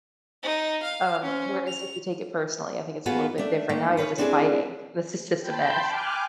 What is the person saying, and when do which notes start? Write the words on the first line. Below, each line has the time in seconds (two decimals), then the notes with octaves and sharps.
Um, whereas, if you take it personally, I think it's a little bit different, now you're just fighting, this is just a mess.
0.43 D#4
0.82 F5
1.22 C#4 C5
1.67 F7
3.06 B3 F4 F#4 G#4 B4
3.38 A3 D4 E5
3.69 D#3 A3 A#3
3.97 F4 B4 C#5
4.18 A3 C4 D4 E4 F#4 G#4
5.40 G5 A5 B5 C6 G6
5.84 G5 G#5 D6 F6 F#6